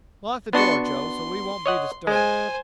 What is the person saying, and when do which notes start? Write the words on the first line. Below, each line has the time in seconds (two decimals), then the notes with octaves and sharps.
Lock the door, Joe, so we won't be disturbed.
0.53 B3 D4 F#4 C6 C#6
0.85 C6
1.66 C#5 D#5 F#5
2.07 G#3 C5 G#5